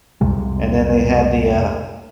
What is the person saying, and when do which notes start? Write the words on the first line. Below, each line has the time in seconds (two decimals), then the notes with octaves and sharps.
and then they had the, uh
0.21 C2 F2 C3 G#3